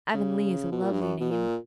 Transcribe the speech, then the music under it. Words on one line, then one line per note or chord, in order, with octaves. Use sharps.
Avonlea is a lovely name.
C#3
B2
A#2
G2
F#2
B2
A#2